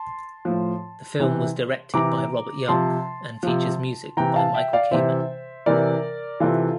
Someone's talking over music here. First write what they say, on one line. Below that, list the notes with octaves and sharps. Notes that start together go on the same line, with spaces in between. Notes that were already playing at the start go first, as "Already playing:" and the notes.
The film was directed by Robert Young, and features music by Michael Kamen.
Already playing: A5 C6
A2 F3
C3 E3
C3 E3 A#5 D6
C3 F3 A5 C6
C3 F3
C3 E3 G5 A#5
F5 A5
E5 G5
D5 F5
C3 E3 C5 E5
C3 E3 A#4 D5
C3 E3 F4 A4